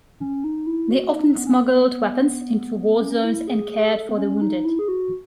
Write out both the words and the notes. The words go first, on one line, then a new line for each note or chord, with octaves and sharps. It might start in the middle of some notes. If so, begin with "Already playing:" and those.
They often smuggled weapons into war zones and cared for the wounded.
C#4
D#4
E4
F#4
D#4
B3
C#4
B3
C#4
E4
G#4
G#4
G#4
A4
B3
C#4
D#4
E4
G#4
F#4